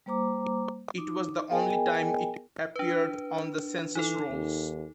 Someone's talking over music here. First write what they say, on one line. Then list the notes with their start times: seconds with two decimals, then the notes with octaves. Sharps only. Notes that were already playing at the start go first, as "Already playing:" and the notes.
It was the only time it appeared on the census rolls.
0.06 G3 A#3 C5 A#5 D6
0.98 D#4 D6
1.51 B3 G#4 A#4 D#5 G5 G#5
2.76 D4 B4
3.95 E3 D#4 A4
4.30 D#2